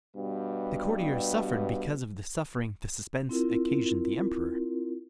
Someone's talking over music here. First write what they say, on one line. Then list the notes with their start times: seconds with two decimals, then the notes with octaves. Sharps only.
The courtiers suffered because of the suffering the suspense occasioned the Emperor.
0.15 G2 B2 G3 B3
3.29 C4 E4 F4 A#4